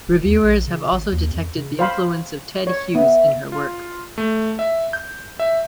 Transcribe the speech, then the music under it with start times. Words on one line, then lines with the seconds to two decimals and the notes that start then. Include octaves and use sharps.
Reviewers have also detected the influence of Ted Hughes in her work.
0.07 F1
0.25 D#2
0.43 A#1
0.67 C#3
0.92 G#1
1.11 D#2
1.31 F2
1.56 C#3
1.79 C5 F5 B5
2.67 C#5
2.95 B3 E5
3.52 F4
4.18 A3
4.59 E5
4.93 G6
5.40 E5